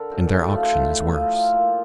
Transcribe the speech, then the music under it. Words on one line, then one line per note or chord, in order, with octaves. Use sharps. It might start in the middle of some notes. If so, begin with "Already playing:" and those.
And their auction is worse.
Already playing: D3 A#4
F#2
A2
F3
A2
A2 E5
F3 D#5
F3 E5
F5
A#2 E5